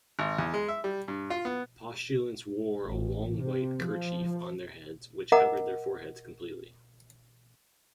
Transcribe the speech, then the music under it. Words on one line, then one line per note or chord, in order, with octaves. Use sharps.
Postulants wore a long white kerchief on their heads, which covered their foreheads completely.
G#1
E2
G#3
E5
G3
G2
F4
B3
A1
C3
F3
A#4 D#5 F#5 A#5 D6